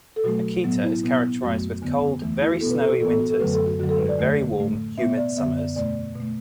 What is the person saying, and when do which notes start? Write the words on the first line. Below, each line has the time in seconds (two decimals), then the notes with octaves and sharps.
Akita is characterized with cold, very snowy, winters, and very warm, humid summers.
0.16 A4
0.24 B2 F#3 A3 F#4
0.64 A2 F#3 B3
0.83 E4
1.03 B2 B3
1.43 F#2 F#3 A3 F#4
1.82 E2 D3 B3
2.22 E2 E3 A3
2.42 E4
2.51 F#4
2.61 B2 B3 A4
2.71 B4
2.80 A4
2.90 F#4
3.00 A2 E3 B3 A4
3.10 A4
3.20 F#4
3.30 A4
3.40 F#2 D3 F#3 A3 B4
3.53 A4
3.66 F#4
3.79 F#2 D3 F#3 F#4
3.89 A4
3.99 B4
4.09 D5
4.18 E2 D3 A3
4.58 A2 A3
4.98 B2 B3 E5
5.09 E5
5.17 D5
5.37 F#2 D3 B3 E5
5.57 D5
5.76 E2 B2 A3 D5
6.15 B2 A3